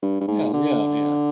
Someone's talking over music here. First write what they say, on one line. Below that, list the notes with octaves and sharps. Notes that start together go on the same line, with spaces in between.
Yeah, yeah, yeah.
G2
G2
G#2
D3